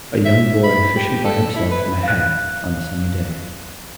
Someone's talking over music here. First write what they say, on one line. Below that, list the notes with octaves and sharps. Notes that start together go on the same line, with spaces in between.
A young boy fishing by himself in a hat, on a sunny day.
E5
B5
G4
A4
E4
B4
F5 F#6